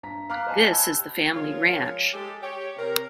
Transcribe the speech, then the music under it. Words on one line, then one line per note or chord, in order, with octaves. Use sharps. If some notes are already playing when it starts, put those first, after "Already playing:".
This is the family ranch.
G2 A#5 B6
F5 A#5 D6 F6 F#6 B6
C5 D#5 F5 G#5 A5
A5 B5 E6 G6 G#6
G4
F3 G#3 F4 G#4 A#4 C#5
G#3 G4 A4
G4 C#5
C3 A#4